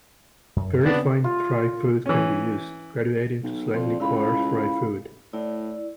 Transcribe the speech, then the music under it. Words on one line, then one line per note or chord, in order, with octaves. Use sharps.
Very fine fry food can be used, graduating to slightly coarse fry food.
F#2
C#3 B3 C4 D4
F4
E3 C#4
B1
F2 D5 C6
C#2 E4 F5 B5
A2 E4 D5